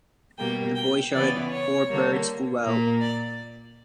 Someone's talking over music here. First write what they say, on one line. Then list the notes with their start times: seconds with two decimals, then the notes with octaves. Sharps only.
The boy shouted; four birds flew out.
0.38 B2 G3 A#3 G5
0.75 G5
1.13 C#3 E3 B3 D5
1.51 C#5
1.89 D3 G3 A#3
2.63 A#2 A#3
3.00 D5